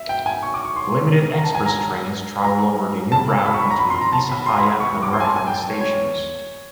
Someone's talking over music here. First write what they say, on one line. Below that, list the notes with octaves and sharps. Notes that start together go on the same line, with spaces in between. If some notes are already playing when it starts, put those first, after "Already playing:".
Limited express trains travel over the new route between Isahaya and Urakami stations.
Already playing: E5
G5
G#5
C#6
D6
C#6
C6
A#5
A5
G#5
A#5
A#5
A5
B5
C#6
B5
A#5
B5
C6
A#5
A5
B5
C6
A#5
B5
C#6
C#6
D6
C6
G#5
A5
G#5
G5
C#5
C#5